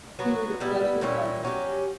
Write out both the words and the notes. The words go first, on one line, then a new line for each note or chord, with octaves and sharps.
He was of Persian origin.
F#3 B3 F#4
G3 B3 E4
A#2 G3 C#4 E4
F#3 C#4 G4